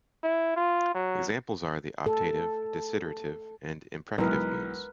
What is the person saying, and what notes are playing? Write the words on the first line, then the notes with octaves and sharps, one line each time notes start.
Examples are the optative, desiderative and imprecative moods.
E4
F4
F#3
A4
B1 E3 G#3 A#4 B4